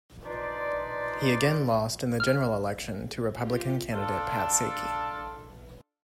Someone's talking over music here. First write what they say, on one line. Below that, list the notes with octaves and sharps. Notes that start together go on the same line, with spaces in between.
He again lost in the general election to Republican candidate Pat Saiki.
D4 D#4 F4 B4 C5 D5
F6
F4 G4
D4 F4 A4